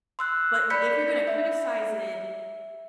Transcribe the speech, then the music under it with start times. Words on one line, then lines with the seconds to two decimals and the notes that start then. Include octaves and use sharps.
but if you're gonna criticize it,
0.19 C6 E6 F#6
0.70 D5 B5 G6 B6 C#7
1.27 E5